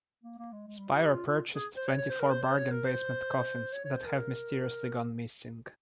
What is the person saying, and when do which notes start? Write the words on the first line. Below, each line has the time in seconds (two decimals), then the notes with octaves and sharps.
Spiro purchased twenty-four bargain basement coffins, that have mysteriously gone missing.
0.23 A#3
0.38 A#3
0.52 G#3
0.67 G#3
0.78 G3
0.89 F4
1.00 G4
1.11 F4
1.26 F4
1.55 G#4
1.77 C5
1.87 C#5
1.98 C#5
2.10 C5
2.20 A#4
2.31 C5
2.43 C5
2.57 C#5
2.71 A#4
2.85 C5
3.73 C#5
3.84 C#5
3.95 C5
4.06 A#4